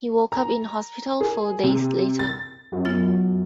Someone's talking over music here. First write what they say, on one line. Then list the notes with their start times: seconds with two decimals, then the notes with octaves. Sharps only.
He woke up in hospital four days later.
0.32 A#5
1.21 G#4
1.64 C3
2.19 A6
2.72 F#2
2.85 B3 F4 A6